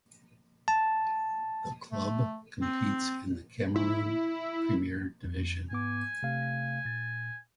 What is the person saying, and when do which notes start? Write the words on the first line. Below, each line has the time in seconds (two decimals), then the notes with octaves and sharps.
The club competes in the Cameroon Premiere Division.
0.68 A5
1.92 A3
2.62 C4
3.76 E4
5.24 F2
5.71 G#2 B3 G#5 D6
6.23 C3 A3 F5
6.85 A#2 A6